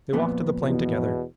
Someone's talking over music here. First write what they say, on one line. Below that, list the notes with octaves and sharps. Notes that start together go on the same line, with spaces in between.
They walked to the plane together.
F2 A#2 B3
E2 B2